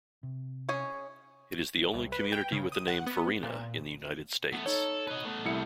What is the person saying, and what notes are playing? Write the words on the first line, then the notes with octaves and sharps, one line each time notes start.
It is the only community with the name "Farina" in the United States.
C3
C#4 G#4 C#5
C2
B4
G5
C#3
D#6
F#5
B3
A#2
A3 B3
D#4 A4 C#5
B4 D#5
A3 B3
C2 E4 C#7